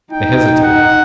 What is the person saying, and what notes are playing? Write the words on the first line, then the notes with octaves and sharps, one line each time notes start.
They hesitated.
D#4 G5
F#5